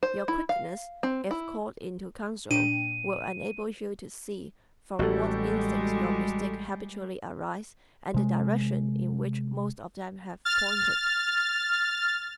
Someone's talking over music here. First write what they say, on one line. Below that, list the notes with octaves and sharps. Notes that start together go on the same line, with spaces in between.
Your quickness, if called into counsel, will enable you to see from what instincts your mistakes habitually arise and the direction in which most of them have pointed.
C5
E4
F5
C4
E4
A#2 D4 G5 D#7
A1 A2 G3 G#3 F#4 G4 A4
C3 G#3
F6 A6